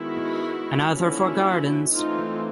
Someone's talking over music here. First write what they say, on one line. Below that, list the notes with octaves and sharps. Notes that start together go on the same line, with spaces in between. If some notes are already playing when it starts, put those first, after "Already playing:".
Another for gardens.
Already playing: D#3 G#3 B3 E4 F#4
D3 F3 A#3 C#4 E4 F#4
E3 A3 C4 D#4 F4